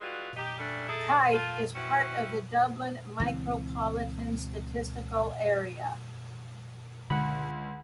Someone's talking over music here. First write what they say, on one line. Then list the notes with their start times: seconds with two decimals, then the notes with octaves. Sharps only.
Kite is part of the Dublin Micropolitan Statistical Area.
0.01 E3 G3 G#3 F4 F#4
0.36 D#4 G4
0.58 C#3 G3 A3 D4
0.87 D#4 E4 G#4 A4
1.33 A3 A#3 F4
1.75 E3 C4 C#4 E4 F#4
3.20 C#2 E3 F3 C4
7.10 C#2 D3 F#5 B5